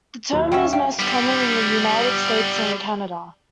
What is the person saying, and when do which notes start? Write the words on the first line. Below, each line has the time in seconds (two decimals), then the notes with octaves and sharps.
The term is most common in the United States and Canada.
0.33 D#2 F#3 B5
0.52 G3 C#4 E5
0.73 G4 F5
0.99 G3 B3